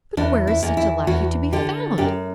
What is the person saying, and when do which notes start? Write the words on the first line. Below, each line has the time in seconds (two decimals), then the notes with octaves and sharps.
"But where is such a lackey to be found?"
0.17 E2 D4
0.47 E4
0.63 E2
0.77 E4
1.07 E2 F#4
1.53 D3 G4
1.98 F#2 G4